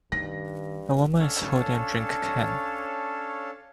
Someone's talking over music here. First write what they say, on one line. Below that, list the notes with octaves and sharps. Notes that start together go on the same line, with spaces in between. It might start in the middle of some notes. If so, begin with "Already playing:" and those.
A woman is holding a drink can.
G2 D#3 A#6
C#4 D4 A4 C#5 F5 A5